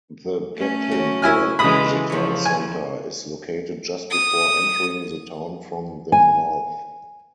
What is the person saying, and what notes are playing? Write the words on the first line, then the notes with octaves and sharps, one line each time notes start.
The Gatlinburg visitor center is located just before entering the town from the north.
A3 C#4
F#3 A#4
F#3 E4 F#4 G#5 F6
C#3 E3 G#3 A3 B5 D#6
E2 F3 C#5
G#5
D#6
G#5